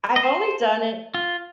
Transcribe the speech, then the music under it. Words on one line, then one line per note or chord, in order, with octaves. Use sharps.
I've only done it
D#5
C5
F4